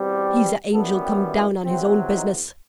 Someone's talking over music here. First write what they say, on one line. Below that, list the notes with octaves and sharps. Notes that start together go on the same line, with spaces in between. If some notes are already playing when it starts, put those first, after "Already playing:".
He's a angel come down on his own business.
Already playing: E2 B2 G3 C4
F#2 E3 G3 B3 A4
G4
E4
E2 C3 F#3 C4
D#4